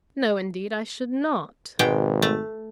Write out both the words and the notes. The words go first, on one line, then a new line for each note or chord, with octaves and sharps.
"No, indeed I should not."
G#1 B2 G#3 G5
A3